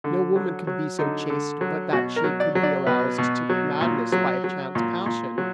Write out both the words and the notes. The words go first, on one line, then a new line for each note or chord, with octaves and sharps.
No woman could be so chaste but that she could be roused to madness by a chance passion!
D3
F#3
F#3
D3 D#4
D3
F#3
B2 F#4
A#4
F#3
D5
F#3
D5
B2 B4
B2
F#3
A#2
F#3
F#3
A#2
A#2
F#3